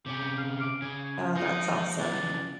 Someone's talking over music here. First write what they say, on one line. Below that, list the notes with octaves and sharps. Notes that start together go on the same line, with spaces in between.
Oh, that's awesome.
C3 C#4 G4
F5
D6
C#3 G#5
F3 D#4
C#3 E3 F3 D4